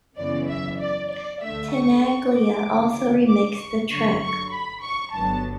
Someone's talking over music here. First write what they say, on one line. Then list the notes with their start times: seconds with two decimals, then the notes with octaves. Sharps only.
Tenaglia also remixed the track.
0.17 F#2 C#3 E3 B3 D5
0.48 E5
0.79 D5
1.11 D5
1.41 D2 D3 A3 E5
1.72 C#6
2.03 C#6
2.35 D6
2.66 D2 C#3 E3
3.28 D6
3.58 C#6
3.89 G2 D3 F#3 A3 C#6
4.21 C#6
4.51 B5
4.82 C#6
5.13 G1 G2 D3 F#3 B3 A5